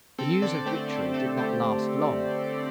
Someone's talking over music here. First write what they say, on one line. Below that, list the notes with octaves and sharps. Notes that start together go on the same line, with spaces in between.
The news of victory did not last long.
C4 A4
D3 A4 D5
A3 G4 C5
C4 A4
A3 A4
A3 G4 C5